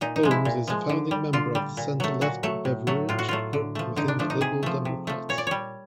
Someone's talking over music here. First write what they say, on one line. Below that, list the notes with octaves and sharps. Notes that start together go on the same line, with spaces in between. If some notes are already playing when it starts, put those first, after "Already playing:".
Holmes is a founding member of the centre-left Beveridge Group within the Liberal Democrats.
A#2 D#4
D#4
F3 G#3
E4
A#2
F3 G#3
D3
G3
D3 F4
G3
A#2
F#3 A3
A#2 F#4
F#3 A3
A2
F#3 A3
A2 F4
F#4
F#3 A3 F4
D3
F3 A3
D3 D#4
D4
F3 A3 D4
D#4
C3 G#4
F3 A3
C3
F3 A3
A#2 C#5
D5
G3 C#5